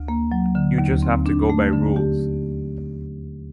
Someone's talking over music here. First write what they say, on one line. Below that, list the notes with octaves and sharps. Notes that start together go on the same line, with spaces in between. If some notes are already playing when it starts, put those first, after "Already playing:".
You just have to go by rules.
Already playing: D2
A#3
F#3
D3
D#2
C4
D4
A3
D3
G4